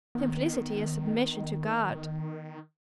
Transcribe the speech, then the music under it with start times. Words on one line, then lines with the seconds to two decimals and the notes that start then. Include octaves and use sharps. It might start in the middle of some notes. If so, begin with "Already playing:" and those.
Simplicity is submission to God.
0.15 D#3 B3